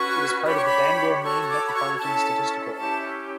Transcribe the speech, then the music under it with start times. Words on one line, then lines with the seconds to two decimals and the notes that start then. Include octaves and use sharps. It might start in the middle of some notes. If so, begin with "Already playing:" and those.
It is part of the Bangor, Maine Metropolitan Statistical Area.
Already playing: C#4 F#4 B4 C#6
0.45 D4 G4 C#5 B5
0.55 C#6
0.65 B5
1.23 F#4 A4 C#5 C#6
1.42 C#6
1.48 D6
1.67 B5
1.73 C#6
1.99 C#4 E4 A4 A5
2.76 C#4 E4 G4 A5